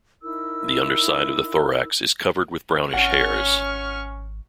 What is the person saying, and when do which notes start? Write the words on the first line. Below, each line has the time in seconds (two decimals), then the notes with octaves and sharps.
The underside of the thorax is covered with brownish hairs.
0.22 D#4 E4 A#4 E6
2.94 G#1 C#4 F#5 C#6 F6